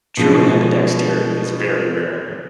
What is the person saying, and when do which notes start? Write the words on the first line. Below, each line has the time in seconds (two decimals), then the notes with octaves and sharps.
True ambidexterity is very rare.
0.17 B2 D3 F3 G#3